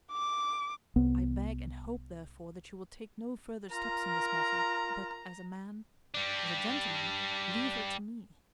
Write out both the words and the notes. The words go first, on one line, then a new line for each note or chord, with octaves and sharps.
I beg and hope, therefore, that you will take no further steps in this matter, but as a man, as a gentleman, leave her to me.
D6
C2 B3
F4 A#4 A#5
G3 D4